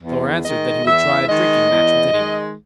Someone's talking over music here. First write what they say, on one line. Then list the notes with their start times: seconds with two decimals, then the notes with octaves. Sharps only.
Thor answered that he would try a drinking-match with any one.
0.02 E2
0.43 D#3 G#3 D#5
0.85 E2 E5
1.28 D#3 G#3 D#5
1.69 E2
2.12 D#3 G#3